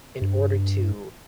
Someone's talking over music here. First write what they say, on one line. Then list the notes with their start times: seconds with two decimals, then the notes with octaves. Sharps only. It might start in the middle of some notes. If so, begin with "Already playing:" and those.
in order to
0.22 G2